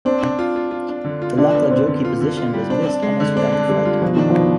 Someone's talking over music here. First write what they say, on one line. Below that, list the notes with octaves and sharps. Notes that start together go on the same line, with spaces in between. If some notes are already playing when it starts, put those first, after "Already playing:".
The Laklajoki position was missed almost without the fight.
C4 D4
D4
F4
F4
F4
D4
D3
F4
D3 D4
B3
D3 C4
D3
F4
D3
F4
G3
C4 D4
D4
G#3
D3
C4 D4
D4
D3 G3
F4
B2 F3
D#3 D4
B2 F3